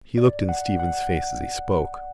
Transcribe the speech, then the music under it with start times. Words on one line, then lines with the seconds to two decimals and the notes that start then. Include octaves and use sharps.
He looked in Stephen's face as he spoke.
0.18 D5
0.49 F#5
0.80 F#5